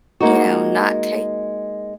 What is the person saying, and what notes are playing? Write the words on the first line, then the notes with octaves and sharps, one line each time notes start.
you know, not take
G#3 A#3 D#4 F#4